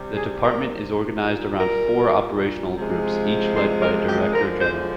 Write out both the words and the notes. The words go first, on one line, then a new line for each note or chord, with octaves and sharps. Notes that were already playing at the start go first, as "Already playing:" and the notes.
The department is organised around four operational groups, each led by a director general.
Already playing: C3 G3
G#4
A#4
A#2 G3
A#4
C3 F3 G#3
C5
A#4
G4
D3 F3 G#3 A#4
C5